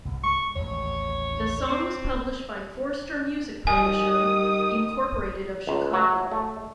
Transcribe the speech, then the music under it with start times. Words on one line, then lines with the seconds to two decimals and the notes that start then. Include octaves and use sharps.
The song was published by Forster Music Publisher, Incorporated of Chicago.
0.05 C2 G2
0.23 G#3 C#6
0.56 A1 D#2 C#5
1.68 C4
3.67 D#3 G3 G#5 D#6
5.67 C#2
5.93 F#3
6.32 A3